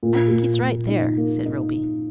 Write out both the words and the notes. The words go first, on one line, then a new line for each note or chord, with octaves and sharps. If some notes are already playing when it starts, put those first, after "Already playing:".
"I think he's right there," said Roby.
A#2
A#2
A#2
D#4
A#3
D#4